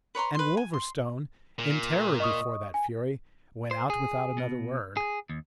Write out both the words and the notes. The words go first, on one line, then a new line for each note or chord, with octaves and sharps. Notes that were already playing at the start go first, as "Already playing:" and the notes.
And Wolverstone, in terror before that fury, went out without another word.
B4 C#5 A#5 C6
B4 C6
G#5
C6
A#2
D#5 C#6 D#6
G#5
C5
G#4
B2
G#4
D#2